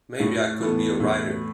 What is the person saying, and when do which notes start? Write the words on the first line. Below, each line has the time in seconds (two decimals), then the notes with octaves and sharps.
Maybe I could be a writer.
0.20 A2
0.60 E3 B3 A4
1.00 A2